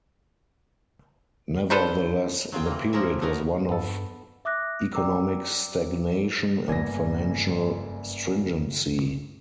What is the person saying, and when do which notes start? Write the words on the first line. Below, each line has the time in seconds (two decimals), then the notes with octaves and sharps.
Nevertheless, the period was one of economic stagnation and financial stringency.
1.70 D4 A4 B4 C5
2.52 F#3 F4 G#4 G5
2.66 E3 A#3
2.93 F3 A#3 C#4 A#4 E5
3.21 D3 A3 B3 E4 A#4
3.69 G2 B3 A4
4.45 E5 D6 D#6 F#6 A#6
4.94 D5 G5 A#5 D6 E6
6.68 F#1 G2 C#3 B3 D5 G#5 A#6